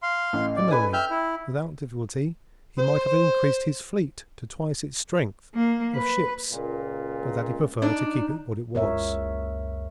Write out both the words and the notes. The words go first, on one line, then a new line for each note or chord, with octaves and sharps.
Similarly without difficulty he might have increased his fleet to twice its strength of ships but that he preferred to keep it what it was.
F5 C6
A1
D5
A4 B4 G#5 B5
E5 G5 F6 G6
E4
C5
A#3
B4
C#2 A#2
D4 D#4 D5
F#1 C#2 A#4 C#5 E5